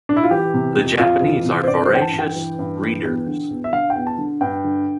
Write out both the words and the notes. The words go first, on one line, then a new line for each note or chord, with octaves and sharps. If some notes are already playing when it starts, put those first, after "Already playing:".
The Japanese are voracious readers.
D4
E4
F4
E3 G4
C3
F2
F2 F4
E3
C3
C5
G2 D5
C5
E3 G5
A5
G2
G5
E3
G2
E3
E2
D3
E2
E5
D3 F5
G5
E2
A5
D3
G2 G5
D3